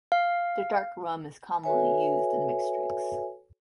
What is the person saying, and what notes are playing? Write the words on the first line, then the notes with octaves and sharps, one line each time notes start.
The dark rum is commonly used in mixed drinks.
F5
F#4 A4 B4 C#5 E5 G#5